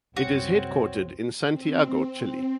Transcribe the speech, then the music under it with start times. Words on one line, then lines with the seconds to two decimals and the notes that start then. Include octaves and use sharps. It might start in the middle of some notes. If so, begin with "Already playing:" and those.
It is headquartered in Santiago, Chile.
0.17 C2 F#2 C4 F#4 C#5
1.47 C4